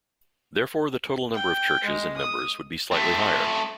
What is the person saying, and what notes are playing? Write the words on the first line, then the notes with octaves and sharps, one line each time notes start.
Therefore, the total number of churches and members would be slightly higher.
G5
G#3
D#6
A3 C4